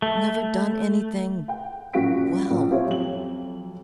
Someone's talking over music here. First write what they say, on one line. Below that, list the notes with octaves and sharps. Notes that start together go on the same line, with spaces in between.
Never done anything--WELL....
A3
F#5 G5
A#1 F#2 F#4 F5 B6 D7
A#1 C#4
C4 F4 G4 C5 C#5 E5
F2 F#3 F#7